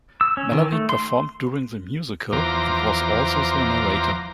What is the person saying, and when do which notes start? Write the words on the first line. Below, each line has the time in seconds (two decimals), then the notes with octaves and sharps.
Melanie performed during the musical and was also the narrator.
0.21 E6
0.37 C#4
0.52 D#3
0.72 A3
0.89 C6
2.32 E2 F3 C5 A#5 D6